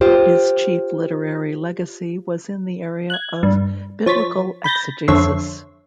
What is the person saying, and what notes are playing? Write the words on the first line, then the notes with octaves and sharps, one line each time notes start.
His chief literary legacy was in the area of biblical exegesis.
F4 G4 C5
F#6 G#6
G2
F3 C#5 A6 B6
B5 G6 A6 A#6
F2 D3 C#5 E5 C6